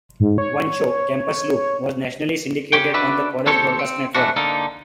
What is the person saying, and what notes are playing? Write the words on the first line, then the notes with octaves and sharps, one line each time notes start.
One show, "Campus Loop", was nationally syndicated on the College Broadcast network.
G#2
C#5
C#3 G4 C#5 G5
D4 F#4 B4 D5 E5
D#2 C4 A4 C5 C#5
C4
B2 E3 A3 D4 F#4
D3 A#3 D#4 A4